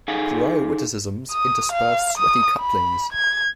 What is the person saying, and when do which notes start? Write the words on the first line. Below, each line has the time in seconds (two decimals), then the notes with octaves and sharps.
Dry witticisms intersperse sweaty couplings.
0.08 D#4 G#4 A4 F5 F#5 G#5
1.32 D#6
1.72 F5
2.18 D#6
2.59 B5
3.13 G#6